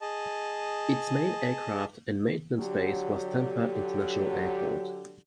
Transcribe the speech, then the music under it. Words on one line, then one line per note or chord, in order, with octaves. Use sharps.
Its main aircraft and maintenance base was Tampa International Airport.
G#4 D#5 A5
D3 F#3 G4